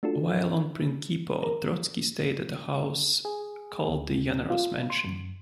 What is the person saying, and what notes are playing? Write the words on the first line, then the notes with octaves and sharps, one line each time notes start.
While on Prinkipo, Trotsky stayed at a house called the "Yanaros mansion".
A3 D4 F4 F#4 A4
A#4 A#5
G#4
D2
F4
C6
F#2